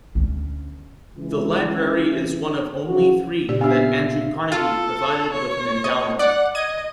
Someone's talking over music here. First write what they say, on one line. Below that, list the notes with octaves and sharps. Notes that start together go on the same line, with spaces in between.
The library is one of only three that Andrew Carnegie provided with an endowment.
D2 C#4
C#2 E3
C#3 E3 F3 F#4
A#2 C#3 G4 D5
B3 D4 G4 E5 F5
F4 A4
C#5
D#5
D5 F#5
D#5 G#6 D#7